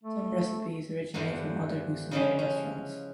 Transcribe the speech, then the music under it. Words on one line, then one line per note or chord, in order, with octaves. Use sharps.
Some recipes originate from other Houston area restaurants.
A3
E2 G2 D3 E3 F3
C#3 E3 F3 G3 G#3 C#4
C#4